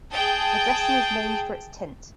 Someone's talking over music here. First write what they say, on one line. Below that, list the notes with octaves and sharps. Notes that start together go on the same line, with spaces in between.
The dressing is named for its tint.
G#4 G5 A5